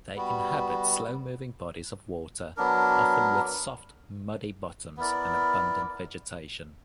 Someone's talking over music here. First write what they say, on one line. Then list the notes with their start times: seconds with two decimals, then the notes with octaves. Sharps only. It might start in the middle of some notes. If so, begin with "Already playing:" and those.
They inhabit slow-moving bodies of water, often with soft, muddy bottoms and abundant vegetation.
0.16 G3 B3 F#4
2.57 F#3 B3 D4 A#4
4.97 B3 E4 A#4 D5